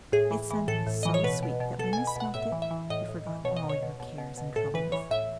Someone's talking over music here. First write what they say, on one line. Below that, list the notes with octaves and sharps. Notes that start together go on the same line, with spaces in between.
Its scent was so sweet that when you smelt it you forgot all your cares and troubles.
A2 G#4
E3
E3
A2 A4
A2
E3 D#5
C#5
B2 B4
B2
B2
B2 A4
B2 G#5
B5
B2 F#5
A2 E5
E3
E5
E3
A2 D#5
A2
E3
B2 C#5
D#5
B2
C#5
B2
B2
B2
B2
A2 A4
E3 B4
E3 C#5
A2 E5